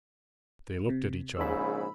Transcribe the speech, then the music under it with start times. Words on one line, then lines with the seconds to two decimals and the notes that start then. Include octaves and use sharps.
They looked at each other.
0.89 C3
1.37 A#1 G#2 C#3 B5 E6